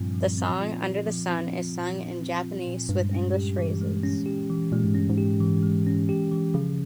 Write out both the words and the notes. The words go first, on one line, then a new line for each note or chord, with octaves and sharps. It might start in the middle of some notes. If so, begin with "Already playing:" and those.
The song "Under the Sun" is sung in Japanese with English phrases.
Already playing: G2 A#2 F3 C4 F4
F3
C4
F4
A#2
F3
C4
F4
A#2
F3
C4
F4
A#2
G2 G#3
C#4
G4
E3
G#3
C#4
G4
E3
A#2 G#3
G#2
G2 C#4
G#2
G4
E3
G#3
C#4
G4
E3
C#3 F3